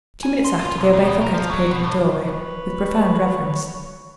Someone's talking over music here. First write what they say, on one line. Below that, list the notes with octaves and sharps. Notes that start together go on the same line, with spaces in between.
Two minutes after, the Abbe Fouquet appeared in the doorway, with profound reverence.
G#5
C6
F4
B1
D#2
B2
A#4
F3
F#3
B2
G2
B4 C#5